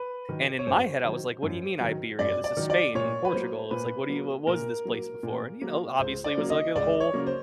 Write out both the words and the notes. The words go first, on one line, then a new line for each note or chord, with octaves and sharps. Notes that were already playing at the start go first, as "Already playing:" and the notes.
and in my head I was like, "What do you mean Iberia? This is Spain, Portugal." It's like, "What do you what what was this place before?" you know, obviously it was like a whole
Already playing: B4
D#3 F#3
C#5
F#2 C5
D#3 F#3
F#2
D#3 F#3
F#2 D5
D5
D#3 F#3
D5
A#2 C#5
B4
F#3 A#3 C5
A#2 B4
F#3 A#3
A#2 A#4
F#3 A#3
A#2
F#3 A#3
C#2 C5
D5
C#3 F#3 A#3
D#5
C#2 D5
C#5
C#3 F#3 A#3
C5